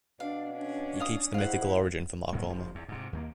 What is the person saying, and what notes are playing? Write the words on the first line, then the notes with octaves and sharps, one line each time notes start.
He keeps the mythical origin for Marcomer.
B2 D4 F5
C#4 D4
F5 D#6
G#2 E4 F5 F#5
G#2 F#3 A#3
F#1 F3
E2
G#2 C3
D#2 A3 A#3